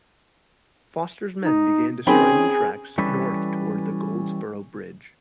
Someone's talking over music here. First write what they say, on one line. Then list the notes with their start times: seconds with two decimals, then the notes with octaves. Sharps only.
Foster's men began destroying the tracks north toward the Goldsborough Bridge.
1.44 D#4
2.07 D#3 C4 C#4 G#4 B5
2.98 E3 G3 C#4 A4 B4